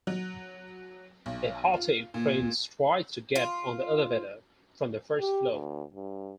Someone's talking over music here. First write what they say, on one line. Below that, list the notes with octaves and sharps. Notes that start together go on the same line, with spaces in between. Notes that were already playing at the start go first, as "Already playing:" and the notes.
A haughty prince tries to get on the elevator from the first floor.
F#3
B1
F4
A#2
F4
G4
D2
G2